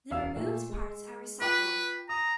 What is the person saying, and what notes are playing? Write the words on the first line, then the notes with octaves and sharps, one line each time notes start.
The removed parts are recycled.
E1 F5 E6
A#2 A3
G#3
F4 B4 G5 D6
A#5 D#6